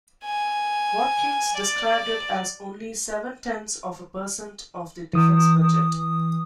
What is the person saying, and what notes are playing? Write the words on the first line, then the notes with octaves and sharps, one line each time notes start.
Watkins described it as only seven-tenths of a percent of the defense budget.
G#5
D5
E3 D#6